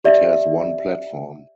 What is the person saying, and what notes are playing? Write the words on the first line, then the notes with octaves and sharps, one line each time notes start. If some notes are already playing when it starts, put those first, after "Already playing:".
It has one platform.
G4 D5 E5